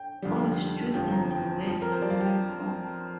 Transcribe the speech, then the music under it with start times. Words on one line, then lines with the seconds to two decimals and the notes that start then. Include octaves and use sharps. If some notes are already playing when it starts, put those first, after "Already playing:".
All students wear school uniform.
Already playing: G5
0.22 F1 F2 D3 G3
0.94 G1 F2 F3 G5
1.12 A#5
1.30 G5
1.66 F2 F3
1.82 A#4
1.92 C5
2.02 D5
2.10 F5
2.20 G5